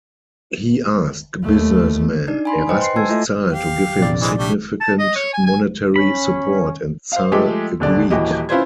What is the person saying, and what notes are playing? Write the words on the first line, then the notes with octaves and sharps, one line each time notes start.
He asked businessman Erasmus Zahl to give him significant monetary support, and Zahl agreed.
D#2 A3
D4 D#4 D5
G#5 B5 C6
B4 C5 D#5 G5
C6 C7
G#5 A5 E6 G#6
A3 E4 F4 A4 D#5 E5
G4 F5
A#1 C3 D5
E3 G#3 C4
G3 A3 D4
A5
D#5
C#5
G#5
G#5
C#4 B5
C5 F5
F3 G#3 A3 G4
D#1 D3 D5
D#1 E3 F#4 G4 D#5
C#4 E4 F4 B4 C5 G#6